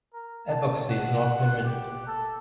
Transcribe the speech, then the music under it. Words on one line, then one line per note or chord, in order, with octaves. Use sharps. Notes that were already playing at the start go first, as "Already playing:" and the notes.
Epoxy is not permitted.
A#4
A5
F#5
G4
A4